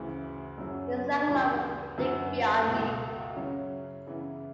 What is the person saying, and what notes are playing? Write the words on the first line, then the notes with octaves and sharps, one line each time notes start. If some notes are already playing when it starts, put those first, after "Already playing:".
They sang along with Dick Biondi.
Already playing: D2 C#3 E3
F#2 C#3 F#3 C#4
D2 C#3 E3 G3 B3
F#2 D3 F#3 B3
C#2 B2 A#3 E4
C#3 F#3 C#4 E4
C#3 E3 B3 E4